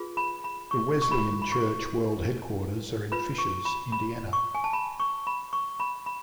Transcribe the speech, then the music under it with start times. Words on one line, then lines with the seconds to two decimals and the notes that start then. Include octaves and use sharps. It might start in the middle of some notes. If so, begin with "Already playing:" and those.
The Wesleyan Church world headquarters are in Fishers, Indiana.
Already playing: F4 G#4 B4
0.17 B5
0.44 B5
0.71 C#6
1.02 C#6
1.12 B5
1.42 B5
1.52 C#6
3.12 F4 B4 B5
3.38 C#6
3.65 B5
3.92 B5
4.33 C#6
4.55 G#5
4.64 A5
4.73 B5
5.00 C#6
5.27 B5
5.53 C#6
5.80 B5
6.06 B5